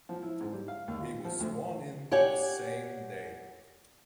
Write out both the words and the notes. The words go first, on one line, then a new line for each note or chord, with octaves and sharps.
He was sworn in the same day.
F3
E4
G#2
G3
F5
D#2
F4
F3
D2
G4 C#5 D5 F#5 G#5